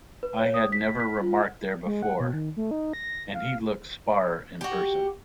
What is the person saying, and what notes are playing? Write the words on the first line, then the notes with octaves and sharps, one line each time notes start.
I had never remarked there before; and he looked sparer in person.
B4
C#5
D#6
B6
B6
F4
G#3
F#5
B2
D#3
A3
D#4
A#6
F5
F#4 G4